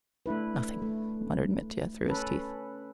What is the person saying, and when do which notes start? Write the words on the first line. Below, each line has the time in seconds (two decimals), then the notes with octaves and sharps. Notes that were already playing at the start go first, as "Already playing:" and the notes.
"Nothing," muttered Mitya, through his teeth.
0.26 A3 D4 E4 B4
0.82 A3
2.06 C#4 A4 B4